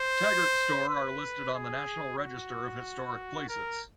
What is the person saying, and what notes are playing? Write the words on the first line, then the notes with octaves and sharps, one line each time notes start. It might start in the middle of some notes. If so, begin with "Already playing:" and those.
Taggart Store are listed on the National Register of Historic Places.
Already playing: C5
B4
G#4
F#4
A#4